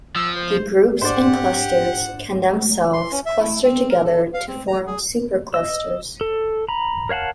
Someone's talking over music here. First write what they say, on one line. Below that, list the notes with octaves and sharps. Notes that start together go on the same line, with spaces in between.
The groups and clusters can themselves cluster together to form superclusters.
F3 E6
C5
G#2 D4 G4 C5 D5 F#5 A6
C6
C#4
E5
E4
C4
A#4
A4
F5
C4
A#5
G#4
D#5 E6
A4
A#5 B5
A#4 C#5 F5 F#5 A5